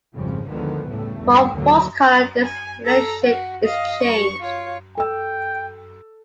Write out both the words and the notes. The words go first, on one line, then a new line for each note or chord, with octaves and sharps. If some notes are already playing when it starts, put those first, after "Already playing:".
For false color this relationship is changed.
G#1 F2 C#3 F3 G3
D2 D3 D#3 F3 G#3 B3
A2 C#3 G3 A3
G1 E2 G3
D#2 A2 D3 E3 F#3
G#5
A4 A#5
F#4
D#5 F5
C#6
F4 C#5
A4 G5 E6